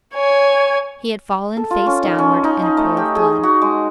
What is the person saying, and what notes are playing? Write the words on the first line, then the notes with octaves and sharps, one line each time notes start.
He had fallen face downward in a pool of blood.
C#5 G#5
A4
F4
C#4
D#3
C#4
D#4
D#4
A3
G4
G#4
F#4
G#3